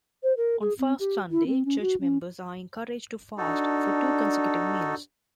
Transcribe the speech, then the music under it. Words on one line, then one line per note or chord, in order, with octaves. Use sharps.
On Fast Sunday, church members are encouraged to fast for two consecutive meals.
C5
A#4
G#4
C4
G4
E4
C4
C#4
F#4
C#4
D4 D#4 F#4 A4